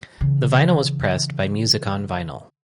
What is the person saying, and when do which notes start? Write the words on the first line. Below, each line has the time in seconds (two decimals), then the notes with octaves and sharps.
The vinyl was pressed by Music On Vinyl.
0.21 C#3 E3